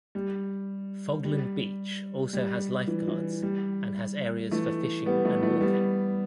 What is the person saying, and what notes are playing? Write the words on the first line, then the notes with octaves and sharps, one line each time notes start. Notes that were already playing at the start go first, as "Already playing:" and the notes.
Fogland Beach also has lifeguards, and has areas for fishing, and walking.
G3
G3
G3
E3
E3
G3
E3 A3
G3 B3
E3 A3
E3 A3
G3 B3